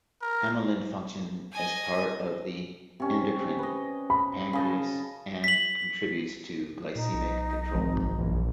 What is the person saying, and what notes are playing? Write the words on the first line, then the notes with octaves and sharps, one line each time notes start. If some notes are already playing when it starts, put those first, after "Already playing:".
Amylin functions as part of the endocrine pancreas and contributes to glycemic control.
A#4
D#5 G#5
C3 C#4
B4 D#5
B5
C#3 D#5 A5
B6 F#7
A#2 D#4
B1
G#1 F3 C4
A#1 F#2 E3